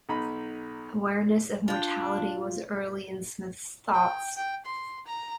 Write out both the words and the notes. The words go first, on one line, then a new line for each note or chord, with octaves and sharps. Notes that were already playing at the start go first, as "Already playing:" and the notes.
Awareness of mortality was early in Smith's thoughts.
B1 D#4 B5
D4 F4 G5
G5
G5
C6
A#5